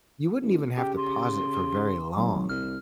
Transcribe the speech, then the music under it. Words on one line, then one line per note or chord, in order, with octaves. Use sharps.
You wouldn't even have to pause it for very long.
A1
C#3 G4 G5
C6
G#1 F#3
C2 F6